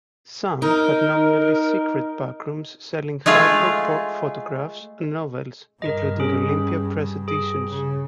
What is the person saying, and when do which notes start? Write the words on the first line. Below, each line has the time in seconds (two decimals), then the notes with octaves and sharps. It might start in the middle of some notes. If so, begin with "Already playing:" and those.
Some had nominally "secret" backrooms selling hardcore photographs and novels, including Olympia Press editions.
0.62 D#4 A#4 A#5
3.26 G#3 A3 F4 G#4
5.82 G2 A#4 D#5
6.20 C#4 G#4
7.28 G#4
7.70 C#3